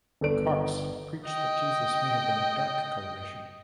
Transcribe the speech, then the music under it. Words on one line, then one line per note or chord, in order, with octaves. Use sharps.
Cox preached that Jesus may have been of dark coloration.
G1 A4 D5 D7
D#5 G5